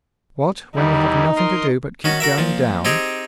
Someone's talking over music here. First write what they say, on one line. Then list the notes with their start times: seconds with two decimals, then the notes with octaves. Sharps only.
"What, when we have nothing to do but keep going down!"
0.76 E2 G3 D#4 E4
1.36 A#4 D#5 C6
2.04 D#3 C#4 F#4
2.20 F#4 A#4 E5
2.38 A#2 F3
2.85 C4 D#4 G4 G#4